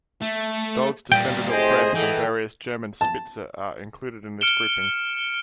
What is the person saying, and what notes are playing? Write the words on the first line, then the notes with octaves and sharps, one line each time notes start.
Dogs descended or bred from various German Spitze are included in this grouping.
A3
A#2 G3 G5
C2 A2 G4 G#4 C5 D#5
E3 A4 F#5 G5
A5
F6 C#7 D7 E7 G7